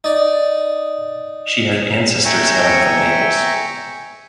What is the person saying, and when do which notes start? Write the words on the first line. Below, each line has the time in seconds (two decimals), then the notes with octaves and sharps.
She had ancestors hailing from Naples.
0.04 D#4 D5
2.25 E5 G5 G#5 A#5 C#6